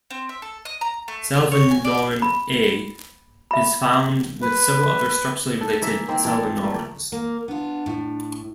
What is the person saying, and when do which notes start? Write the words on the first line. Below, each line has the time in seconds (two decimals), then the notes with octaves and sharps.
Salvinorin A is found with several other structurally related salvinorins.
0.10 C4
0.29 E5
0.42 A4
0.65 D#5
0.81 A#5
1.08 A3
1.34 F4
1.52 C#5
1.71 G#5
1.85 D5
2.22 B5
3.51 E5 B5
4.42 B4
5.61 A4
5.82 E3 A#3 E5
6.08 D#3 A#3 C4
6.25 E3 F4 A4
6.63 A3 A#3
7.12 A#3 A#4
7.48 B3 D4 F4
7.86 A2